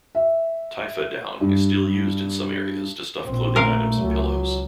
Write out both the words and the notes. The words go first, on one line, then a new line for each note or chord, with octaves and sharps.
"Typha" down is still used in some areas to stuff clothing items and pillows.
E5
G2
A#1 C4
A3 A#4 F5
C#2 F#3